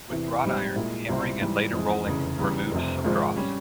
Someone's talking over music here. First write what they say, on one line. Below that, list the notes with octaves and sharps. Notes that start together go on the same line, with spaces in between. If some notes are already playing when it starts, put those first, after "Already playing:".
With wrought iron, hammering and later rolling removed some dross.
E2 C3 E3
A#1 G#2 G3 C4 G4
A#2 G#3 E4
C#2 C3 G3 C4 E4
G#2 E3 G3
F2 E3 G#3
F1 E2 C#3
E2 C#3 G3
F1 F2 C3
G#1 G#2 F3 G#3 C4
G3 C#4